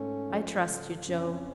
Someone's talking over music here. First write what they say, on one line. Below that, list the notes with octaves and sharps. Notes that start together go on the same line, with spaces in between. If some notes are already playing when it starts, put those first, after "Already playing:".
'I trust you, Jo.
Already playing: G#2 A3 C#4
F3
C#3
F2 C#4